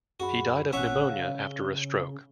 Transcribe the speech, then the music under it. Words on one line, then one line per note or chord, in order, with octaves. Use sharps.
He died of pneumonia, after a stroke.
F#2 F#4 G#4 B5
A1 C#4 E5 F#5 C#6 F#6
C#3 F5
G7